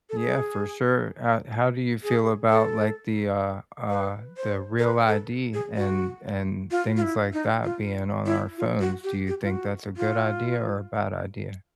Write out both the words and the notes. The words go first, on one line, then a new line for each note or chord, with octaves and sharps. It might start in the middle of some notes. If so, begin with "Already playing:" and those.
Yeah, for sure, uh, how do you feel about, like, the, uh uh the REAL ID and and things like that being on our phones, do you think that's a good idea or a bad idea?
A4
G#4
G#4
A4
B4
C5
A#4
B4
A4
G#4
F#4
F4
F4
E4
D#4
F4
E4
F4
F#4
G4
G4
F4
F#4
F4